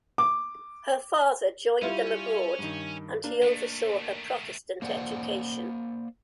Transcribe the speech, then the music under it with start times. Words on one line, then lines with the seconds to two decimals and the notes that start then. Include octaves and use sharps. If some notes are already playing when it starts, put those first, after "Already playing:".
Her father joined them abroad and he oversaw her Protestant education.
0.18 D6
1.82 G3 C#4 E4 F4
2.59 G2 D#3
3.24 A#3 D4
3.42 D#3 A3
4.82 A#3 C5 D5 F#5